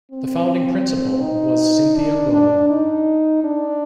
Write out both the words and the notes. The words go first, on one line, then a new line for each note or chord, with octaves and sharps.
The founding Principal was Cynthia Goh.
C4
D#4
D4
D4
D#4
D4